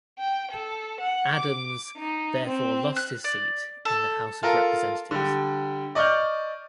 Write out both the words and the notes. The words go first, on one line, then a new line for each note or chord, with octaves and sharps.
Adams therefore lost his seat in the House of Representatives.
G5
A4
F#5
D6
D#4
C4
F#6
D5
A4
F4 A4 A#4
D3 G3
D5 D#5 C#6 D6 F6 G6